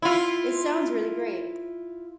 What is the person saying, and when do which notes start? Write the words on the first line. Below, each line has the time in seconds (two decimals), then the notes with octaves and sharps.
It sounds really great.
0.02 E4 F4